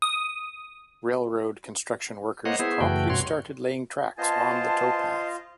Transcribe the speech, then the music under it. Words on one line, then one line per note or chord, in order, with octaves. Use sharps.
Railroad construction workers promptly started laying tracks on the towpath.
D#6
A#3 C5 C#5 D#5 F#5
B3 E4 G#4 C5
F#2 C#3 E3 A3 F#4 G5
G2 B2 F#4 C#5 C6
B3 F4 C5 D#5 G#5 A5